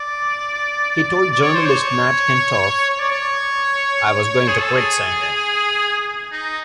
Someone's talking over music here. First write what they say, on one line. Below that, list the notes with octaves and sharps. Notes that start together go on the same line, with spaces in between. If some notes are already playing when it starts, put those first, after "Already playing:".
He told journalist Nat Hentoff: I was going to quit singing.
Already playing: D5
D5
C#5
C5
C#5
C#5
D5
C#5
G#4
A4
G#4
D#4